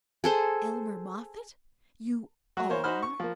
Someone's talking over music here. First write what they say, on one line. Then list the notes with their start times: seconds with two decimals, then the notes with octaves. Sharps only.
"Elmer Moffatt--you ARE?"
0.24 G#4 A4 C5
2.57 F#3 F#4
2.69 A#3 C5 C#5
2.84 D#4 F#4 C5 B5 F6
3.03 C#6
3.20 F3 A#3